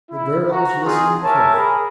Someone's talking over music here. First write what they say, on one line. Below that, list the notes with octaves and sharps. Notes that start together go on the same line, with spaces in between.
The girls listened carefully.
E4
F#4 A#5
C4 D#4 F4 G#4
G4 A#4 C#5 E5 G#5 A5
G#4 A#4 G#5 B5